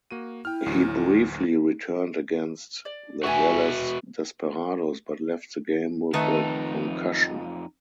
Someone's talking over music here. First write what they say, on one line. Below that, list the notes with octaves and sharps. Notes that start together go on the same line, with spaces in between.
He briefly returned against the Dallas Desperados, but left the game with a concussion.
A#3 F#4 D#7
E4 G5 F6
A1 D2 F#3
D5
F#4 B4 E5 G#5 C#6
F2 D#3 A3 D#4 B4